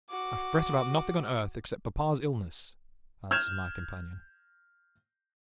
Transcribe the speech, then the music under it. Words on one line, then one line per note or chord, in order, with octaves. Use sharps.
'I fret about nothing on earth except papa's illness,' answered my companion.
F#4 D6
F6 G6 G#6 E7 F7